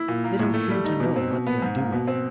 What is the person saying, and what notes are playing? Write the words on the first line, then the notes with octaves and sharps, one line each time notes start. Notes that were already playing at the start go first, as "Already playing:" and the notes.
They don't seem to know what they are doing.
Already playing: E4
A#2
A#3
A2
A3
G3
D#4
B2
C4
B2
B3
G#2
A#3
B2
C4